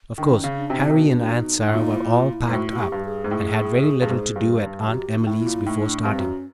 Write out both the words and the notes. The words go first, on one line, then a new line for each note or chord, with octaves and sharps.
Of course Harry and Aunt Sarah were all "packed up" and had very little to do at Aunt Emily's before starting.
D#3 D4
C#4
C#3
D4
C3
D#4
C3
B2 D4
D#4
A2
A#2 D#4
E4
F4
E4
G#2
A2 F#4
F#4
G4
G2
G#4
G#2
A2
G2
G#2
G2
G2
F#2 G4
D#4
A2 E4
A#2
A2 D#4
D4
G2 C4
F#2
C#4